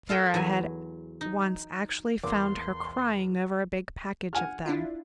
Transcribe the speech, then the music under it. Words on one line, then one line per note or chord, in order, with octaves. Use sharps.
Sara had once actually found her crying over a big package of them.
F4 A4 A#4 G5
E2 F#3 G#5
D#4
E2 A#4 F5 C6 D6
F#5 G#5 F6
D4 E4 F4